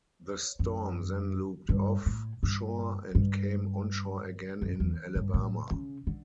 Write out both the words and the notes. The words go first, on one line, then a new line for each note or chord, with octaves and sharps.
The storm then looped off shore and came onshore again in Alabama.
F#2
G2
A2
G2
G2
F#2
E2
G2
A2
C#3
D3